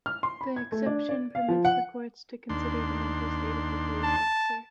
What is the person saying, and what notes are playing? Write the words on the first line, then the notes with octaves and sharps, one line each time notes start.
The exception permits the courts to consider the mental state of the police officer.
F6
C6
B5
G#6
A3
D4
D5
F5
F3
F#5
D#2 D4 C6
A5